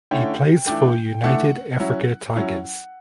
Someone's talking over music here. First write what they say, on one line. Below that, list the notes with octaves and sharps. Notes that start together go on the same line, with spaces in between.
He plays for United Africa Tigers.
D3 A3 C#4 E4 G5
E3 A3 D4 G5
E3 A3 D4 F#5
F#3 C#4 E4
F#3 C#4 E4